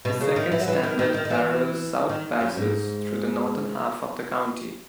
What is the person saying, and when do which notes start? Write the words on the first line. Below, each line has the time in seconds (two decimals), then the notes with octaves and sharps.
The second standard parallel south passes through the northern half of the county.
0.05 B2
0.21 C#3
0.36 D#3
0.52 E3
0.59 F#3
0.68 E3
0.83 D#3
0.99 D#3
1.14 D#3
1.25 D#3
1.30 E3
2.09 D#3
2.41 F#2
2.57 G#2